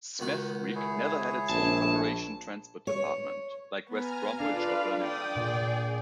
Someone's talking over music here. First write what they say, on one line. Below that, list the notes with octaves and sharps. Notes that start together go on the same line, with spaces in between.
Smethwick never had its own Corporation Transport Department, like West Bromwich or Birmingham.
C#2 D#3 F#4
E4 G#4 C#5
A#1 A5
C#5
B3 G#5 A#5 F6
D4 F4 A4 B4 D5 F5
D5 G5 D#6
A#2 G#4